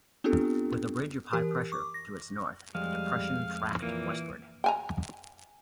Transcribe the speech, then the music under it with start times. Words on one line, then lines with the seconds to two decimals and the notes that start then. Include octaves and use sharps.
With a ridge of high pressure to its north, the depression tracked westward.
0.24 B3 C4 D4 F4 G4 A4
1.33 E3 G4 A#4
1.72 C#6 D6
1.94 A#6
2.75 F2 G3 G#3 F5
3.82 A#2 E3 A#3
4.64 G5 G#5 A#5